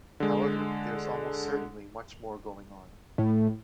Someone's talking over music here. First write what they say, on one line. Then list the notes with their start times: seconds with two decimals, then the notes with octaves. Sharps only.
However, there is almost certainly much more going on.
0.20 D3 G#3
3.18 A2